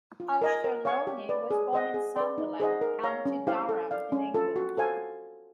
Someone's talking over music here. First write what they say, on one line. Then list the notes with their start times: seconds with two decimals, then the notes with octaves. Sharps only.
Auchterlonie was born in Sunderland, County Durham in England.
0.20 F4
0.41 A#4 D#5 G#5
0.64 A#4
0.85 C#5 F5 G#5 C#6
1.07 G4
1.29 B4 D5
1.51 G#4
1.73 C5 D#5 F#5
1.94 G#4
2.16 B4 D5
2.38 D#4
2.60 G#4 C5 D#5 F#5
2.81 A#4
3.04 C#5 F5 A#5
3.25 C#4
3.47 E4 G4 C5 F5
3.69 A4
3.91 D5 F5
4.12 C#4
4.34 F4 A4
4.56 F#4
4.77 A4 C5 F5 G#5